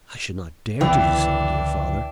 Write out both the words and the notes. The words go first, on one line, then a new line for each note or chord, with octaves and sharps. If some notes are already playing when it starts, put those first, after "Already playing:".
"I should not dare to do so, dear father."
C#2 D3 E3 B3 D4 G5 E6